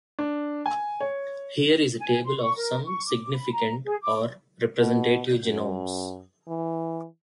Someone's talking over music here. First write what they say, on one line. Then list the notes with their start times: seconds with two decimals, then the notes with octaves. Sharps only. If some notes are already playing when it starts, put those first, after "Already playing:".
Here is a table of some significant or representative genomes.
0.19 D4
0.66 G#5
1.01 C#5
1.98 G#5
2.24 C6
2.39 C#6
2.56 A#4
2.84 C#6
3.06 D6
3.34 B5
3.52 A#5
3.85 G#4
4.01 D6
4.78 B2
5.43 F#2
6.48 E3